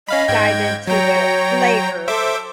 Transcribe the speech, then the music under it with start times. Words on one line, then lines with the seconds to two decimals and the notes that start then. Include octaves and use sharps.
m dive into it later,
0.09 C#4 D#5 F5 B5
0.28 G#2 G5 G#6
0.87 F#3 C#5 G5 A#5
2.08 A4 C5 E5 D6